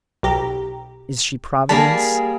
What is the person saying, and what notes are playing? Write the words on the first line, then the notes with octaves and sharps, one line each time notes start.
Is she Providence?
B1 G4 A#5
G3 A#3 G#4 A5